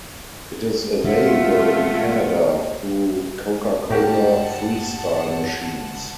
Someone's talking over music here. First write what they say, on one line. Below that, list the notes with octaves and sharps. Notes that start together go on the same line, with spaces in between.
It is available in Canada through Coca-Cola Freestyle machines.
C3 F#3 G#3 A3 F4 E5 F#5
G2 F#4 G4 A#4 F#5 A5